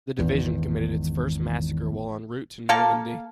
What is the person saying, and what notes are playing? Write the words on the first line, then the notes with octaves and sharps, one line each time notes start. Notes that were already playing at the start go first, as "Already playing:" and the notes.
The division committed its first massacre while en route to Normandy.
G#1 E2
A#3 A4 F5